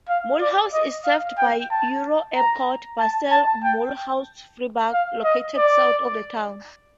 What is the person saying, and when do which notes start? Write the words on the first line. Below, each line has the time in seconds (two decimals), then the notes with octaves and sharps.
Mulhouse is served by EuroAirport Basel-Mulhouse-Freiburg, located south of the town.
0.09 F5
0.41 D5
0.73 D#5
1.05 F5
1.38 G5
1.71 A5
2.35 A#5
2.99 A5
3.31 A5
3.64 G5
4.93 F5
5.24 D#5
5.57 D5